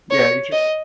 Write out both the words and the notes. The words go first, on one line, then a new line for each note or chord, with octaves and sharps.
Yeah, you just
C#5
D#5